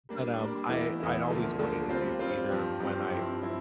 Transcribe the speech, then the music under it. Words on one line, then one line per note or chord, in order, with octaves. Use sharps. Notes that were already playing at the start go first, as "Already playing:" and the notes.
but, um, I I'd always wanted to do theater when I
G3 A#3 D4
G3 A#3 D4
E2 E3 A3 E4
E2 E3 A3 E4
D2 D3 F3 A#3
D2 D3 F3 A#3
G3 C4 F4 C5
G3 C4 F4 C5
G2 F3 C4 G4
G2 F3 C4 G4
G2 F3 C4 E4
F3 C4 E4